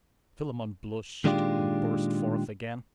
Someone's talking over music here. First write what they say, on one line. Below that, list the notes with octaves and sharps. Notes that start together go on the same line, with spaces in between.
Philammon blushed and burst forth again.
A#2 D#3 G#3 D4 F4 G4